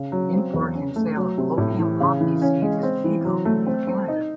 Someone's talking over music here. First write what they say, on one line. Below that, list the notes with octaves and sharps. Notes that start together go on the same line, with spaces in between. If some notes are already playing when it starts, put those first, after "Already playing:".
The import and sale of opium poppy seeds is legal in Canada.
Already playing: C#3
F#3
C4
E2
C#4
A3
F#3
C3
A2
E3
C#3
E3
C#4
G#3
C4
E3
F#3
A3
C4
C4
D#4